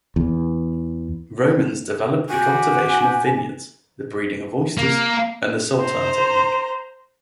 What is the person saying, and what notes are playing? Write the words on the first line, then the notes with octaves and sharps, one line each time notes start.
Romans developed the cultivation of vineyards, the breeding of oysters and the saltern technique.
E2
F#4 G4 G#5
A#3
C5 A#5